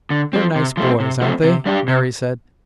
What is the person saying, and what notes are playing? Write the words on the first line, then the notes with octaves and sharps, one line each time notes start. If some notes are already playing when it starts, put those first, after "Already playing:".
"They're nice boys, aren't they?" Mary said.
D3
F3 C4
C3
F3 A3 C4
C3
F3 A3 C4
C3
G3 D4 G4
C3